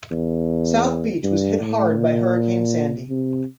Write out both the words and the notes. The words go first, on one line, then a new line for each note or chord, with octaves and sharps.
South Beach was hit hard by Hurricane Sandy.
E2
G2
A2
A#2
C3